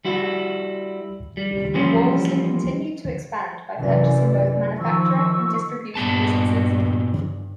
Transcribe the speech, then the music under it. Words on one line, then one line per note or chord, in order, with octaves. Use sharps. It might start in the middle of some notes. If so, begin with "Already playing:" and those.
Wolseley continued to expand by purchasing both manufacturing and distribution businesses.
G3 E4 F#4
G3
E3 F3 G3 A#3 C4 C#4
F#2 C3 E3 D5
D#3 F3 C#6 E6
G2 A#2 B3 A5